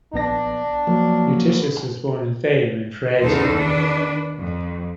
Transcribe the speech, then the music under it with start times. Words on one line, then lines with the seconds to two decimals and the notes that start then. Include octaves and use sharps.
Eutychius was born at Theium in Phrygia.
0.14 A#1 B3 D4 A#6
0.87 F3 F#3 A#3
3.23 E2 C#3 D#4 A4 C5
3.54 D#3 D4 B4
4.37 F2